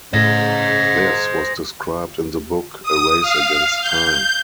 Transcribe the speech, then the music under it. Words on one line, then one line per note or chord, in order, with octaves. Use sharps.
This was described in the book "A Race Against Time".
A2 C#3 C5 D#5
D#6
F5
G6